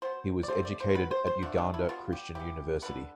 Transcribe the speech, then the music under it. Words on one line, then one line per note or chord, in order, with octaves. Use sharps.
He was educated at Uganda Christian University.
B2 B3 C5
D5
B2 A3 C5
D5
C5
B2 B3 B4
C5
C5
D3 F3 A3 D4
D4
E4
B2 G3 B3 F4
G4
E3 B3 G4
D3 G3 B3 B4